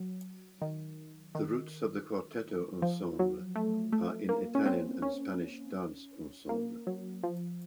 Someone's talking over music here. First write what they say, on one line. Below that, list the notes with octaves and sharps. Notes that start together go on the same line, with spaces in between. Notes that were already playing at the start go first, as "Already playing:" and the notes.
The roots of the cuarteto ensemble are in Italian and Spanish dance ensembles.
Already playing: F#3
D#3
D#3
F3
F#3
A3
A3
A#3
C#4
C4
C#4
A#3
F#3
F3